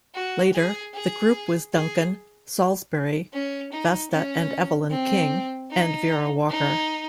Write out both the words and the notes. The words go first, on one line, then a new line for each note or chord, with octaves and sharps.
Later, the group was Duncan, Saulsberry, Vesta and Evelyn King, and Vera Walker.
F#4
G#4
G#4
G#4
C#4
D#4
C#4
C4
D#4
D#4